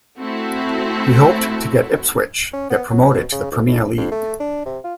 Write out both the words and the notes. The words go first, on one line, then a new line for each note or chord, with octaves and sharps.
He hoped to help Ipswich get promoted to the Premier League.
A3 C4 E4 F#4 A4
C#4
B3
F#3
B2
C#3
D2
A2
F2
A3
D4
C3
F4